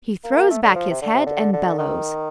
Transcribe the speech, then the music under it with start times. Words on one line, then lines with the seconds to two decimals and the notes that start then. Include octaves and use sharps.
He throws back his head and bellows.
0.24 A#3
0.37 A#3
0.50 A3
0.63 D3
0.76 F3
0.90 C3
1.02 D3
1.14 C3
1.27 D3
1.40 D3
1.53 D3
1.66 D3
1.78 D#3